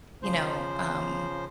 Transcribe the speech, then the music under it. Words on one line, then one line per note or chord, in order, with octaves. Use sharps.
you know, um
C#3 F3 C5